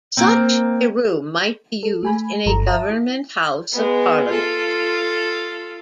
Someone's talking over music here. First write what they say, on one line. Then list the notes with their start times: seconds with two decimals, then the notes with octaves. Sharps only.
Such a room might be used in a government house of parliament.
0.17 A#3 C4
1.83 A4
2.03 A3 G#5 B5
2.46 G1 G2 F3 A4 A#5
2.67 E5 A5 A#5 D#6
2.90 E4
3.72 G#3 B3
4.27 F4 A4